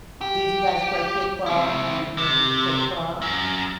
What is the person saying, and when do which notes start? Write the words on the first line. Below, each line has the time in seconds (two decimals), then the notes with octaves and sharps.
Did you guys play kickball? Do you remember kickball?
0.21 G4
1.46 C4 E4
2.18 C3
3.22 F#2